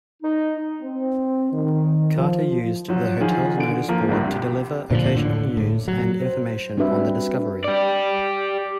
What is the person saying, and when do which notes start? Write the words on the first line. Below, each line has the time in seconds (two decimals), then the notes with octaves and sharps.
Carter used the hotel's noticeboard to deliver occasional news and information on the discovery.
0.23 D#4
0.81 C4
1.52 D#3
2.15 F3
2.88 F3 F#3
3.20 D#3 F3 F#4 G#4
3.58 D3 D7
3.88 F3 A#3 A#4
4.08 G1 C2 G2
4.24 C3
4.91 A#2 D3 E3 F3
5.15 A2 D3
5.57 A2
5.88 F#3
6.22 C5
6.77 G3 C4 D4 F#4 B4 E5
7.64 G4 D5